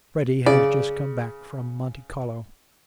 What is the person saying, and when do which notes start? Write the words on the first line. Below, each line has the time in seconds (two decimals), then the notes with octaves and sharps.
Freddy has just come back from Monte Carlo.
0.46 C#3 D5